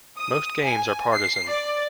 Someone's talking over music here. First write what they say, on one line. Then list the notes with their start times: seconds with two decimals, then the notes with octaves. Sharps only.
Most games are partisan.
0.18 D#6
0.64 G#5
1.11 C7
1.47 D5